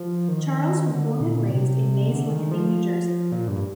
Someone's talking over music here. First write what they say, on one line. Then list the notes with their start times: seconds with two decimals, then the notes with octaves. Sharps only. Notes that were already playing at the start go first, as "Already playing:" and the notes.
Charles was born and raised in Mays Landing, New Jersey.
Already playing: F3
0.28 D#3
0.90 D3
1.20 A#2
1.50 C3
2.10 D3
2.30 D#3
2.51 F3
3.32 A#2
3.48 G2